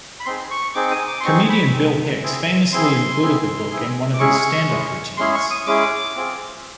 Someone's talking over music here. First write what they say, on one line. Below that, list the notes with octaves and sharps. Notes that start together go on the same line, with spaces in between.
Comedian Bill Hicks famously included the book in one of his stand-up routines.
B5
C4 D#4 G#4 C6
C#6
C4 D#4 G#4 D6
D#6
D6
C6
C4 D#4 G#4 C#6
B5
C4 D#4 G#4
C4 E4 G#4
C4 E4 G#4 C6
C4 E4 G#4
C4 E4 G#4
D6
G#3 C#4 E4 G#4 C#6
G#3 C#4 E4 G#4
G#3 C#4 E4 G#4 C6
C#6
D#6
G#3 C#4 E4 G#4 D6
C4 F4 G#4